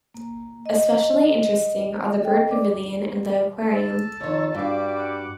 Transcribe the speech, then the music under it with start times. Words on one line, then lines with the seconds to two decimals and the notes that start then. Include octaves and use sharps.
Especially interesting are the bird pavilion and the aquarium.
0.14 A#3
0.66 D#5
2.22 A4 D#5 G5
2.48 D5 D6
3.70 A4
4.21 F2 D#3 C#5
4.54 G2 G3 F#4 F5 D6
4.98 F#5